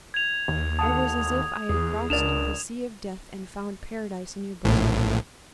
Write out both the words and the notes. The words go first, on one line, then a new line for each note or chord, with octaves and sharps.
I was as if I had crossed the sea of death and found paradise in your bosom!
G#6 F7
D#2
A4 F#5 A5 D#6
E2 G#4 D#6
C#2 D4 A#4 D5 E7 F7
A#1 A2